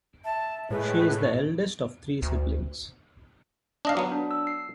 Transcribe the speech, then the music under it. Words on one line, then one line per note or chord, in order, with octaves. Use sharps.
She is the eldest of three siblings.
E5 A5
A2 G#3 B4
D2
D4 D#5 F5
F#3 B3
D4
E6
C7